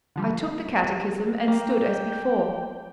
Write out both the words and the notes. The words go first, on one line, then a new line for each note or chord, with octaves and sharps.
I took the catechism, and stood as before.
D3 F3 G3
A#3 G5